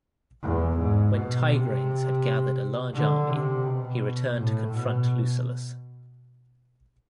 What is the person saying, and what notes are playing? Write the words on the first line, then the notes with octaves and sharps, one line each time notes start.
When Tigranes had gathered a large army he returned to confront Lucullus.
E2
G#2
B2
C3
D3
C3
B2
A2
B2